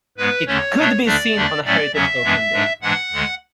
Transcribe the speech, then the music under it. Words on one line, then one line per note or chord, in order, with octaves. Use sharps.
It could be seen on a Heritage Open Day.
G#2 G#3 B3 B4
E2 D3 A3 C#4 C#5
B2 A3 D4
D2 D3 A3 D4 D5
E2 D3 A3 D4
A2 F#3 A3 C#4 D5
E2 C#3 F#3 C#4 E5
F#2 E3 G#3 B3 D4
G#2 G#3 D4
G#2 E3 G#3 D4 F#5
D2 D3 G#3